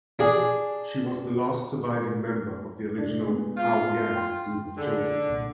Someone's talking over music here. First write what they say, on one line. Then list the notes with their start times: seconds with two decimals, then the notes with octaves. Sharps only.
She was the last surviving member of the original "Our Gang" group of children.
0.19 D4 G#4
2.98 C3 A3 D4
3.28 G#3 B3
3.57 F4
4.15 G5 C6
4.77 D3 G#4
5.27 C2 A#2